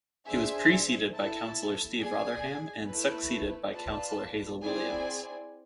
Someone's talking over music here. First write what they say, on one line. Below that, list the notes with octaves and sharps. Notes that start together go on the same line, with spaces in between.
He was preceded by Councillor Steve Rotherham and succeeded by Councillor Hazel Williams.
D4 G#4 C5 E5 G#5
E4 A4 E5 A5
G#4 D5 G#5
A3 E4 B4
F4 B4 D5 A5
C4 E4 G#4 D5 G#5